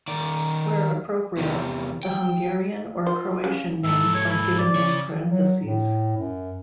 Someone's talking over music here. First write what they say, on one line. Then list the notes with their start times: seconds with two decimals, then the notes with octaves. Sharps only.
Where appropriate, the Hungarian or Croatian names are given in parentheses.
0.08 D#3 D5
1.37 E2 C3
2.03 G5
3.07 F4 C5
3.44 C#3
3.84 G#2 A4 E5
4.14 C#5
4.28 E4
4.58 D5
4.75 C#3 C#5
5.30 F#3
5.63 A2
6.17 F#2